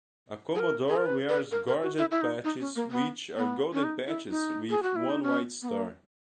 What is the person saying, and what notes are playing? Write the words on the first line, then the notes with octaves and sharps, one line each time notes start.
A commodore wears gorget patches which are golden patches with one white star.
G#4
A#4
G#4
A#4
B4
B4
A#4
A#4
F#4
E4
E4
D#4
D#4
C#4
A#3
B3
B3
C#4
D#4
E4
D#4
G#4
F#4
E4
D#4
C#4
B3
A#3